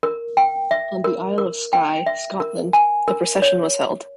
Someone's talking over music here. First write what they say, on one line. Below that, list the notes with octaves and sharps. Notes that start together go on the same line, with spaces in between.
On the Isle of Skye, Scotland, a procession was held.
A#4
G5
E5
A#4
A#4
G5
E5
A#4
G#5
A#4
C#5